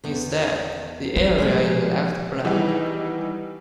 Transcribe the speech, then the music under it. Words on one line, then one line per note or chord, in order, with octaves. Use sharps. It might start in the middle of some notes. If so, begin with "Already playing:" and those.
Instead, the area is left blank.
E2 B3
F3
A#2 G3 G#3
D#3 E3 G3 G#3 B3 D#4